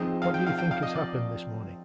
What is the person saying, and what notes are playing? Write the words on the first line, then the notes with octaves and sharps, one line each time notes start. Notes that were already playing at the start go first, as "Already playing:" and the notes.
What do you think has happened this morning?
Already playing: F3 C4 D#4 G#4 D#5
F5
G5
F5
G5
F5
D#5
D5